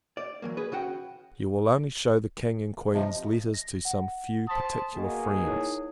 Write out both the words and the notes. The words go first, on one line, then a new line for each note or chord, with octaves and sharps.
You will only shew the King and Queen's letters to some few particular friends.
D5
E3 F#3 A#3
G#4 B4
C#3 C#4 F#4 F#5 G5
C3 F3 D#5
A#6
F#5
C5 A5 C6 D#6 B6
B2 A#3 G#4
D#4 E4 C#5